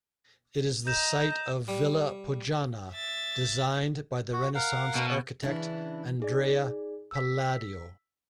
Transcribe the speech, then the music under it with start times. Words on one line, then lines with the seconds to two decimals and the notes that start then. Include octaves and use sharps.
It is the site of Villa Pojana, designed by the Renaissance architect Andrea Palladio.
0.87 D#5 A#5 G6 E7
1.68 G3
2.92 E5 A6
4.33 F#4
4.55 A#4 F5 F#5
4.95 B2
5.43 C#3 E3 D4 E4
6.20 D#4 G#4 D5
7.11 E6 B6